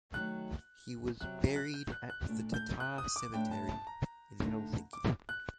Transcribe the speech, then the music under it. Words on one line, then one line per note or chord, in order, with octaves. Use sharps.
He was buried at the Tatar cemetery in Helsinki.
D#3 F#3 A3 F#6
C3 F#3 C4 F#6
F#6
G6
F#6
F#6
A#2 A3 D4
G6
F#6
D#6
D6
A2 A3 D4 G5
A5
A5
A#5
D3 A3 D#4
D6
F#6